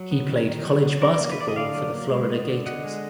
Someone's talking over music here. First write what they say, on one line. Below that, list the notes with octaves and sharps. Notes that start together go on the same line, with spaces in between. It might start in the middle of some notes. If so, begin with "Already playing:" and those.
He played college basketball for the Florida Gators.
Already playing: F#3
B3
D#3
D#3
F#3
B3
F#3 A#4 D5
A#3
B4
D3 D5
D#5
D3 D5 F5
F#3
A#3
G#3
B3
D3
D3 D#5 F#5
G#3